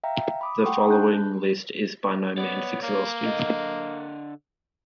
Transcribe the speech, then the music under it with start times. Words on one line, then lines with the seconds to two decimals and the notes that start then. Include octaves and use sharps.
The following list is by no means exhaustive.
0.04 E5 F5 G5 A#5
0.41 B5 D6 D#6
0.64 F#5 G5 C6 C#6 D#6
0.89 D4 G#4 A5 F#6 G6
2.37 B3 C#5 D5
2.83 A#3
3.23 D3 D#5